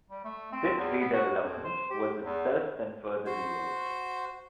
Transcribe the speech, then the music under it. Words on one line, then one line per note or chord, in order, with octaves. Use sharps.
This redevelopment was itself then further delayed.
G3
A3
C4
E2
B3
F#4
F2
C5
G4
E2
F#4 C5